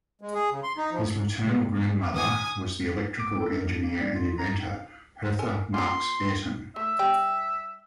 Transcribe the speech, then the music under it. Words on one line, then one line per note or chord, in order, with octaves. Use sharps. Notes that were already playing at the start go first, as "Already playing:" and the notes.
His maternal grandmother was the electrical engineer and inventor, Hertha Marks Ayrton.
G#3
G#4
C#3
C6
D#4
F3
C3 G#3 B3
D#3 G#5 D#6
D6
A4
A#4
D4
A#3
G3
F4
A#5
D#4
F5
A4 A#4 G#5
A#3 F4 C6
A3 E5
G3 G4 G5